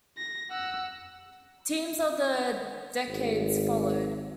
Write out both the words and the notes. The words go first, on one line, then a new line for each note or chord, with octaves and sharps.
Teams of the decades followed.
A#6
F#5 E6
G#1